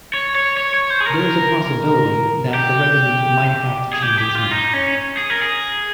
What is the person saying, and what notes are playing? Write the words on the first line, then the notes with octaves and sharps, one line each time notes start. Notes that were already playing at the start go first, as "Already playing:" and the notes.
There is a possibility that the regiment might have to change its name.
C#5
C#5
C#5
C#5
C5
G#4
A#4
G4
G#4
G4
G4
F4
D#4
C#4
G#4
A#4
G#4